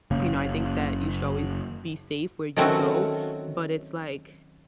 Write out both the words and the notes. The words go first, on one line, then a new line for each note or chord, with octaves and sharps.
you know, I think that you should always be safe where you go, but it's like,
F#1 C#3 A#3
D#3 F#3 A3 C4 C#4 F#4